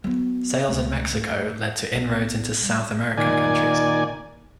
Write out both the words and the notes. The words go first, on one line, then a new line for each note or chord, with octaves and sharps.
Sales in Mexico led to inroads into South American countries.
F#3 B3
C#2 A3
G#2 A3
B1
G3
A#2 D#3 D5 G#5